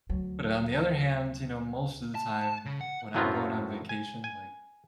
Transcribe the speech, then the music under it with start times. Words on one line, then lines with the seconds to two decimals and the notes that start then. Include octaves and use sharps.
But on the other hand, you know, most of the time when I'm going on vacation, like,
0.09 D2 F#3
2.15 A5
2.66 C#3
2.81 F#5
3.15 F#2 A2 F#3 B3 C4 F4
3.89 G#5
4.24 G#5